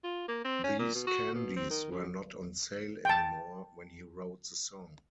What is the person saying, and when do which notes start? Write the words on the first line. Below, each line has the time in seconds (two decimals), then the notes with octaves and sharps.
These candies were not on sale anymore when he wrote the song.
0.04 F4
0.28 A#3
0.45 C4
0.64 C#4
0.79 A#2
0.95 B2
1.07 F#4
1.35 B2
1.56 C4
1.70 D#3
1.91 F#2
3.05 G5 A5